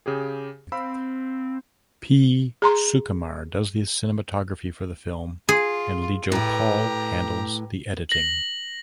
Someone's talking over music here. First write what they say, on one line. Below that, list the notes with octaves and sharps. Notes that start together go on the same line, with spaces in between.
P Sukumar does the cinematography for the film and Lijo Paul handles the editing.
C#3 G4 G#4
C4 F5 B5 E6
G#4 A#5 C6
F4 G#4
A2 G4 B4 A#5
A#6 F#7